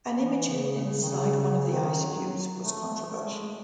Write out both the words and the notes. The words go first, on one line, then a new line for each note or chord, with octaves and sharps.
An image hidden inside one of the ice cubes was controversial.
E3
C#3
C#3
D#3
C#3
C#3
D#3
F#3
A3
A3
G#3